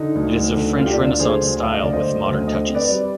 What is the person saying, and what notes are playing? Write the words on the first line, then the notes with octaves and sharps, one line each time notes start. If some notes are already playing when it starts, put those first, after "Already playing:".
It is of French Renaissance style with modern touches.
Already playing: D3 D#4
D2
D2
D3
D2 F4
G4
D4 F4
D2
D3 G#4 C5
D2
D3 F5
D#5
D3 D5
C5 D#5
D2
D2
D3 C5 D#5
C4
B4 D5
G3